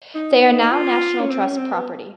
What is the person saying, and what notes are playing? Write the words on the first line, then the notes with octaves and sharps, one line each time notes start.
They are now National Trust property.
D#4
F4
C#4
C4
C#4
C4
B3